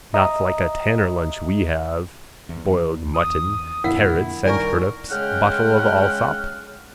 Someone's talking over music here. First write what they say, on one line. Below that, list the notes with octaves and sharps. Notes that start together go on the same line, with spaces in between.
Not like a tanner lunch we have, boiled mutton, carrots and turnips, bottle of Allsop.
D#5 E5 A#5 D#6
E2
D#6
F2 A#2 D3 E4 A#4 F5 F#5
G2 D#3 A#4 D5 G#5 C#6
C#3 G#3 C#4 F#5 G5 F6